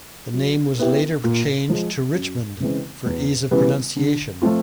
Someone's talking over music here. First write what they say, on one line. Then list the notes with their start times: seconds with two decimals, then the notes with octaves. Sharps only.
The name was later changed to Richmond for ease of pronunciation.
0.33 F#3
0.79 B3 E4 G4
1.24 A#2
1.70 F3 G#3
2.15 F#2
2.60 C#3 E3 G#3 C4
3.06 E2
3.51 C#3 E3 G3 B3
3.96 D3
4.42 F3 A3 C4 F4